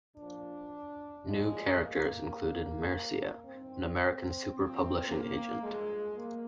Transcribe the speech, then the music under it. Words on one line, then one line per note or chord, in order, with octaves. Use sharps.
New characters included Marcia, an American super publishing agent.
A#2 F3 D4
A#2 F3 G#3
A#3
A#2 F3
G2 D#3 C4
A#2 F3 C4
A#3
G2 F3 G#3
A#3